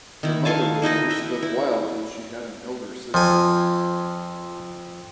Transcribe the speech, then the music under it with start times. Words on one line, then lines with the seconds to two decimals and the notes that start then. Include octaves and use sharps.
Her mother was Elizabeth Wild and she had an elder sister.
0.23 D#3 E4
0.45 A4 F5 G#5 A5
0.82 A#3 D#4 E4 D#5
1.10 B4 E5 G5
1.43 E4
3.14 F2 F3 G#5